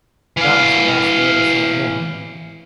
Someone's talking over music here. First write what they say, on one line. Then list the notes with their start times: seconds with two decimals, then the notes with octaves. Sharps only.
That was the last they ever saw of him.
0.37 E3 F5